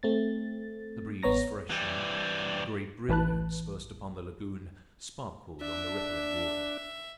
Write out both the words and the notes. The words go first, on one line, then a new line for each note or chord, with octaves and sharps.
The breeze freshened; a great brilliance burst upon the lagoon, sparkled on the rippling water.
A3 C4 A6
A1 B3 C#5 A#5 A#6
E3 G3
A1 E3 B4 A5 F#6
D4 E5